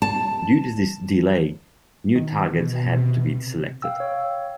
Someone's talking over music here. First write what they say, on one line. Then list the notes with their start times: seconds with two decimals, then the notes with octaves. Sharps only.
Due to this delay, new targets had to be selected.
0.02 A5
2.15 B2 D#3
2.96 C3
3.82 F5 G5 E6
4.00 C#5